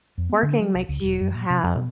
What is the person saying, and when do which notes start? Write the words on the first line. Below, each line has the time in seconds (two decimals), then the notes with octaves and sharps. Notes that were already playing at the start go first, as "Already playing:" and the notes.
working makes you have
0.18 F2
0.30 B3
0.43 D3
0.59 F#3
0.75 C2
0.89 C#2
1.03 E1
1.21 F#2
1.35 A#2
1.50 C3
1.63 F2
1.76 B2